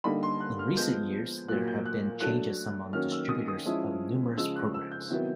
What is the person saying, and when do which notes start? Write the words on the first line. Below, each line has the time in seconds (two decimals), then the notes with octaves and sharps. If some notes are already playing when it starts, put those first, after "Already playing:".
In recent years, there have been changes among distributors of numerous programs.
0.04 D3 G3 A#3 D#4 B5
0.23 C6
0.40 F#6
0.59 F6
0.76 F3 G#3 B3 G6
1.48 A#2 F#3 A#3 F#6
1.68 G6
1.86 F#6
2.21 F#3 A3 D4 F#6
2.93 D#3 F#3 A#3 C#4 F6
3.12 E6
3.29 D#6
3.48 D#6
3.66 F3 G#3 C#4 E4
4.37 C#3 F3 G#3 E6
4.56 F#6
4.74 E6
4.92 G6
5.09 C3 D#3 F#3 B3 E4